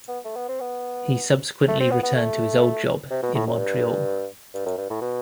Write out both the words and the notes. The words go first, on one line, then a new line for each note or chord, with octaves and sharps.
He subsequently returned to his old job in Montreal.
B3
A3
B3
C4
B3
A3
C4
B3
B3
A3
C3
B2
A2
F#2
G2
G2
F#2
G2
A2
B2